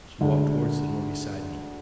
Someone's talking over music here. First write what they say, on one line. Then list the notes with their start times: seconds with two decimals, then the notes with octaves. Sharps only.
She walked towards the door beside me.
0.21 D2 D3 G#3